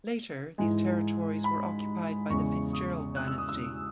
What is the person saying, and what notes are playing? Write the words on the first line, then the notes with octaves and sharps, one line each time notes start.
Later these territories were occupied by the FitzGerald dynasty.
G#2 E3 G#3 G#5
B5
E2 C#3 G#3 C#6
D#6
F#6
E6
D#6
E6